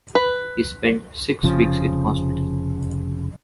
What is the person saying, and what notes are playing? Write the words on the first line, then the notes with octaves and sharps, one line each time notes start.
He spent six weeks in hospital.
B4
F1 C#3 F3